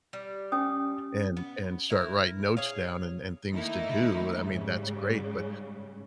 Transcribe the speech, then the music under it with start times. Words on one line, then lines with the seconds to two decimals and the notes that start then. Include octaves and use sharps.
and and start writing notes down and and things to do. I mean, that's great, but
0.13 G3
0.52 C#4 G#5 D#6
1.37 B3
1.90 E4 A#4
2.57 G#4 C#5 F5
3.52 D#3 A3 A#3 D#4 E4
4.45 G#2 C#3 G3